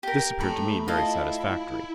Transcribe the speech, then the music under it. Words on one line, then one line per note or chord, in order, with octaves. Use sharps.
This appeared to me very satisfactory.
G4 A#4
A3 A5 B5
E4 F4 D#5 A5